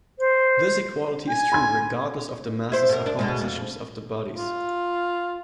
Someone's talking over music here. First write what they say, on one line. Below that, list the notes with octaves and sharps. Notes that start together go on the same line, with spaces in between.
This equality is true regardless of the masses or compositions of the bodies.
C5
G#5
B5 C6 G#6
E4 C5
B2 A#4
D4
D2 B2 G#3
F2
F4